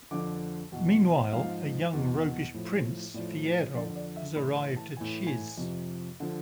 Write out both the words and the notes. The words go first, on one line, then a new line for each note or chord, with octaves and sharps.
Meanwhile, a young roguish prince, Fiyero, has arrived at Shiz.
F2 D3 F3 D6
E2 B2
G#2 F3 F5
E2 B2
A2 F3
A2 F3 D5
F2 D3 F3 D5
D5
E5
A2 E3 B5
C6
A5
A2 E3 G#5
G#5
F2 C3 F3
D3 F3